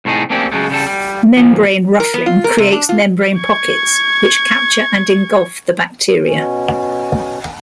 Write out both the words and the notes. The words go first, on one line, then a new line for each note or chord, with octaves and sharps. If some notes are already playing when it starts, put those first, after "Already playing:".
Membrane ruffling creates membrane pockets which capture and engulf the bacteria.
C2 A2 A3 D#4 G#4
A3 A#3 C4 C#4 G4 D5
C#3 F#3 G#3 A3
C#3 G3 A4
G3
D#2 A#2 F3
A#4
B3
F4
A#4
C3
D4
F4
C#6 G#6
B2 C#4